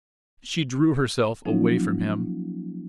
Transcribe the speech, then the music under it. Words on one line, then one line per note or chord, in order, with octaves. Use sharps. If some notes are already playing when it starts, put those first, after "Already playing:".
She drew herself away from him.
F3 F#3 A#3 C#4 D#4 F4